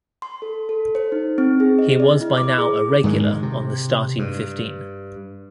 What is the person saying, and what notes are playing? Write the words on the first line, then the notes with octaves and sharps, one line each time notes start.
He was by now a regular on the starting fifteen.
C6
A4
A4
C5
D#4
C4
G#4
D#5
D5
E4
D6
G#4
G#2 D#3 F3 G#3
C3
G2